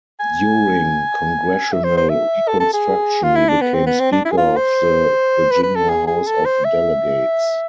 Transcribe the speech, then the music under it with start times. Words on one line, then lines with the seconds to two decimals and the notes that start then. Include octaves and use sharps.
During Congressional Reconstruction he became Speaker of the Virginia House of Delegates.
0.20 G#5
1.73 E5
1.84 C5
1.98 C5
2.10 E5
2.48 A4
2.60 A4
2.74 G#4
3.23 F4
3.36 E4
3.49 D4
3.62 B3
3.74 C4
3.87 B3
4.00 C4
4.13 D4
4.25 E4
4.31 G#4
4.37 F4
4.57 C5
5.51 B4
5.63 B4
5.76 A4
5.90 G#4
6.07 G#4
6.27 A4
6.46 C5
6.65 E5